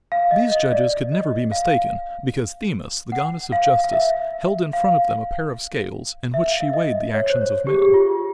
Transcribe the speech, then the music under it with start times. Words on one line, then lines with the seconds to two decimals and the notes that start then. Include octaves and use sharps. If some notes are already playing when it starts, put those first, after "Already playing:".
These judges could never be mistaken because Themis, the Goddess of Justice, held in front of them a pair of scales in which she weighed the actions of men.
0.12 F5
0.31 D#5
0.52 D#5
0.72 D5
1.12 D#5
1.52 F5
3.12 F#5
3.52 F5
3.84 F5
3.93 E5
4.73 F5
6.34 E5
6.47 F5
6.60 E5
6.73 D#5
7.14 C#5
7.30 C5
7.41 C#5
7.67 G4
7.74 G#4
7.82 G4
7.94 F4